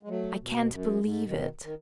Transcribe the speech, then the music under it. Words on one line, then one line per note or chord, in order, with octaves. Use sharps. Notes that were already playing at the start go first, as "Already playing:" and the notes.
I can't believe it!
G#3
F#3 A3
B2
F#2
G#2
B2 D#3
D#3